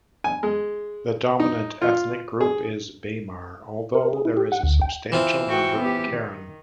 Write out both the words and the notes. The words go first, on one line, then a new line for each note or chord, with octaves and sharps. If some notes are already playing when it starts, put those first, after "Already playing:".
The dominant ethnic group is Bamar, although there is a substantial number of Karen.
G#5
G#3
D#4
F4
G#4
A#4
G#4
E4
G4
F#5
D2
G5
E3 C4 F4
F#4 G5
B3 G4
D#3